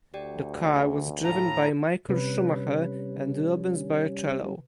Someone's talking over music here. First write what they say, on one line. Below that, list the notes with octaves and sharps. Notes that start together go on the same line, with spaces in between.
The car was driven by Michael Schumacher and Rubens Barrichello.
D2 G4 D5 G5
A2 E5 F5 A5 A#5
C3 G3 C#4 B4